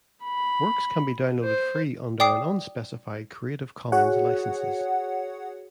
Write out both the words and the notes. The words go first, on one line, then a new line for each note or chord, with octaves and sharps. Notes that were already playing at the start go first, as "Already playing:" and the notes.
Works can be downloaded free under an unspecified Creative Commons licenses.
B5
C5
D5 G5 D6 D#6 C7
F#4 G#4 C#5 F#5